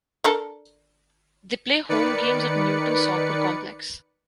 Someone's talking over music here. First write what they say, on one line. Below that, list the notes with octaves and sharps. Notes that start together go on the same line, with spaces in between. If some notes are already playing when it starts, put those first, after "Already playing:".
They play home games at Newton Soccer Complex.
D4 A4 A#4
D#3 B4 D5 C#7